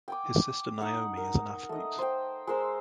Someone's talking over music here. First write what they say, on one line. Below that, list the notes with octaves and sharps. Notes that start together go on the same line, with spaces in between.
His sister Naomi is an athlete.
G5 G#5 D6
D#4 F#5
A#4
A3 D#5
C5 G5
G#3 A#4 C5 E6